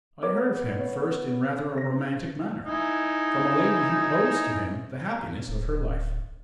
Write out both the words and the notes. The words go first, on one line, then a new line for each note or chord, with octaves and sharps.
I heard of him first in rather a romantic manner, from a lady who owes to him the happiness of her life.
B3 A#4 C#5 D6
C#5
C4 A#6
D#4 E4 G#5
D1